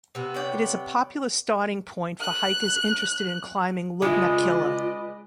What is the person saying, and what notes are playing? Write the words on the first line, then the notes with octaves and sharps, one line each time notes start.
It is a popular starting point for hikers interested in climbing Lugnaquilla.
C3 B3
C#5 D5 G5
F#6
C#3 G#3 E4 F4 B4 D5 D#5